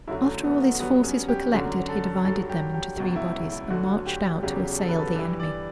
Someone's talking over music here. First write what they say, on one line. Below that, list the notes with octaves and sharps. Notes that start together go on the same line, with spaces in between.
After all his forces were collected, he divided them into three bodies, and marched out to assail the enemy.
F#2 D3 F#3 E4
A3
B3
B3
G2 F#3 B3
C#4
G4
F#2 D3 F#3
A4
G2 F#3 A4
G4
G4
C#2 B2 F#3
E4
E4
D2 D3 F#3 F#4
G4
E2 C#3 F#3 G4
A4
B4
A4
G2 E3 B4
D5